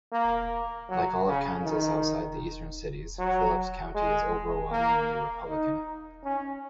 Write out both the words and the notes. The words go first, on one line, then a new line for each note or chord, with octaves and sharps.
Like all of Kansas outside the eastern cities, Phillips County is overwhelmingly Republican.
A#3
F#3
C#3
D#3
F#3
G#3
A#3
D#4
C#4